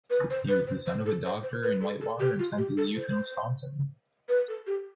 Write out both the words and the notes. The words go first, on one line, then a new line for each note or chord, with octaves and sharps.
He was the son of a doctor in Whitewater and spent his youth in Wisconsin.
B4
C5
B4
C5
C5
A4
C5
C5
B4
A4
A4
G4
F4
G4
A4
C5
B4
A4
G4